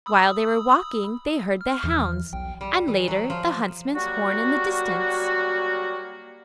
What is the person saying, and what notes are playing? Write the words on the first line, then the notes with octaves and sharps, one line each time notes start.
While they were walking they heard the hounds and later the huntsman's horn in the distance.
B5 D#6 E6
F6
E2 E3 F3
B1 G5
G3
E3
F#3
F3
F#3 G3 A#3 F#4